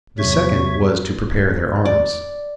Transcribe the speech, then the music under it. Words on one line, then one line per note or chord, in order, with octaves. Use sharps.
The second was to prepare their arms.
E2 C3 F#3 C#5 E5 C#6
D5